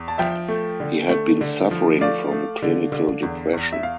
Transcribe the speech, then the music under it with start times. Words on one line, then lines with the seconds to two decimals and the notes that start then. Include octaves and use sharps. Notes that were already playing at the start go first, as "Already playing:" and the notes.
He had been suffering from clinical depression.
Already playing: E2
0.08 A5
0.18 F3 E5 G5
0.48 A3
0.80 D3
1.09 A3
1.41 D3
1.71 F3
2.01 A3 D5 F5
2.31 A3
2.62 D3
2.92 D3
3.23 E2
3.53 E2
3.72 E5
3.83 F5